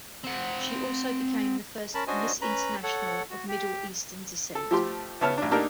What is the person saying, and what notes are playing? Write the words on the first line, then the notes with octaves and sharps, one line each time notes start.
She also became the first Miss International of Middle Eastern descent.
C4 F#5
C#4 A#4 A5 B5
C#4 D4 F#4 C5 D#5 G#5
C#4 B4 A#5 B5
A4 C#5 F#5
F#4
G4
A4
F3 A3 G4 C6
C#3 B3 C#5 E5 A5 F6
A1 D4
A3 A#3 D4 D#4 G4 A#4